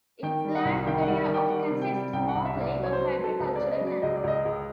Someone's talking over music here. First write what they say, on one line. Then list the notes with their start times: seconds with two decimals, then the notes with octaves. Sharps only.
Its land area of consists mostly of agricultural lands.
0.23 D#3 G5
0.45 G3
0.55 F#5
0.65 C2
0.87 D#3 G5
1.02 F#5
1.07 G3
1.28 D#3
1.34 G5
1.50 G3 F#5
1.71 C3
1.82 G5
1.92 G3
2.13 C2 G5
2.28 F#5
2.35 C2
2.45 E5
2.55 C2
2.61 D5
2.77 F#3
2.83 C#5
2.93 C5
2.98 F#3
3.08 B4
3.19 F#3 A4
3.39 C#2 B4
3.56 D5
3.61 C#3
3.71 D#5
3.81 F#3
3.87 D5
4.02 C#2 D#5
4.16 D5
4.24 C#2 D#5
4.45 C#2